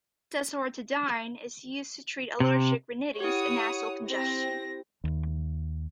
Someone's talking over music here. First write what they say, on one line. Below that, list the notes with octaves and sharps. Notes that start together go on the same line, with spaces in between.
Desloratadine is used to treat allergic rhinitis and nasal congestion.
C3
E4 G4 C#5 F#5 D#6
C4 A#6
D#2